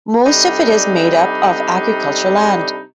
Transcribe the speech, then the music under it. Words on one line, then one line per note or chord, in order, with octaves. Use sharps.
Most of it is made up of agricultural land.
C3 G3 D4 D#4 A4 B5